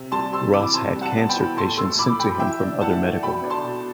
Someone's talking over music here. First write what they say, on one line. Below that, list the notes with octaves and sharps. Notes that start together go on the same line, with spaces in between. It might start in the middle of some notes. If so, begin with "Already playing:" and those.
Ross had cancer patients sent to him from other medical men.
Already playing: C3
G3 A5 C6
C3 C6 E6
E3 B5 D6
C3 A5 C6
G3
F#5 A5
B3 A5
G5 B5
E3
A2 A5 C6
A3 C6 E6
A2 B5 D6
F#3 G5 B5
E3 E5 G5
D4
E3 F#5 A5
A3
B2 G5 B5
D4
A5 C6
B2